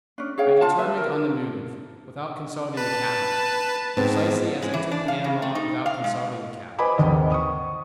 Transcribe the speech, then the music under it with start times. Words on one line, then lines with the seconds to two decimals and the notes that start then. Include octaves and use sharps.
I determined on the move without consulting the Cabinet, precisely as I took Panama without consulting the Cabinet.
0.18 C#4 D4
0.38 G#4 C#5 F5 G5
0.61 F4 A5
0.78 B4 E5
0.97 A#4
2.77 B4 A5
3.97 G#2 G#3 B3 C4
4.62 G#3
4.74 E3
4.91 D4
5.08 F5
5.24 C#3
5.42 A3
5.55 D#4
5.86 F5
6.04 G#3
6.78 B4 C5 D#5 G#5 B5 D6
6.98 G#1 D#2 D#5
7.32 C#6 D#6